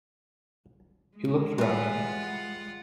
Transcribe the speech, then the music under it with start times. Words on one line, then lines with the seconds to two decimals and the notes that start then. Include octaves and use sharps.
He looked round him.
1.17 G#3
1.58 E3 G3 F4 B4 F#5